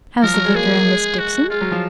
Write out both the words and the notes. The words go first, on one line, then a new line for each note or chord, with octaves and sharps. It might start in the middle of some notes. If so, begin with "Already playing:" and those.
How's the Vicar and Miss Dixon?
F3 A#4
F#3
G#3
A#3 G#4
A#3
G#3
F#4
G#3 F4
F#3
F3